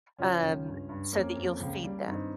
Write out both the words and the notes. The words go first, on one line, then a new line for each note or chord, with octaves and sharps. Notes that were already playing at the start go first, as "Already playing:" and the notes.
um, so that you'll feed them.
C#2 C#4 F4
C#2
G2
G2
F2 A#3 C#4
F2
C#2
G3
G2 C4 D#4